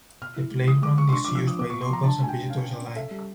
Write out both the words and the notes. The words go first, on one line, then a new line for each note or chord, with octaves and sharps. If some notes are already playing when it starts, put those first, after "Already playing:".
The playground is used by locals and visitors alike.
B2 F6
E4
G#3
E3 D#6
G#3 D6
G#3 C#6
C6
D4 C#6
D6
F3
E6
F3 D#6
B3 D6
C#6
A#2
C6
F3 A#5
D4 A5
G#3 G#5
G5
D4
C#4 F5
C#4
C#4
A4 E5
G3